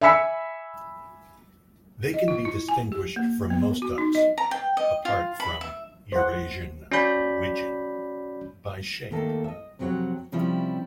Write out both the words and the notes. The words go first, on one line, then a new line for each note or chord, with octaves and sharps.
They can be distinguished from most ducks, apart from Eurasian wigeon, by shape.
E5 G#5 B5 E6 B6 C#7
D#5
F4
E4
G#5
G4
A#3
B3
F#4
D#4
D#5
A#5
G5
D#5
F4
B5
E5
C5 F#5
C#4 F#4 D5 B5 G6
D#2 A3 A#3 A4
D#5 E5
F2 C3 F#3 F4 C#5 F#5
C3 F3 G3 C#4 E4